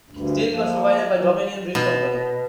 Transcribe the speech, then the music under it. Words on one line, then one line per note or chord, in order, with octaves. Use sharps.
Steel was provided by Dominion Bridge Company.
D2 G2
F3 A#3
E3 F#3
B2